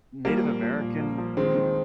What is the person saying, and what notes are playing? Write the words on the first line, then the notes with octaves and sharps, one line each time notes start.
Native American
F3 G3 A#3
F3
F3
A#2
F3
F3
D#3 G#3 C4
D#3